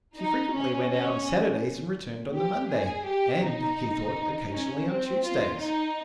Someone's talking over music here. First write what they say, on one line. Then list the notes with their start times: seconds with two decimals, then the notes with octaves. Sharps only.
She frequently went out on Saturdays and returned on the Monday and, he thought, occasionally on Tuesdays.
0.18 D#4
0.53 C#4
0.90 C#4
2.34 G4
2.71 G#4
3.07 G4
3.43 D#4
4.51 C#4
4.87 C4
5.24 F4
5.59 D#4